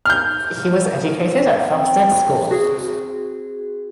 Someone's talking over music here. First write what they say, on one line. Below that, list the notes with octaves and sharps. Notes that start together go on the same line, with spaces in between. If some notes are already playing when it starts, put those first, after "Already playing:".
He was educated at Felsted School.
F6 G6
C4
F#4 G#4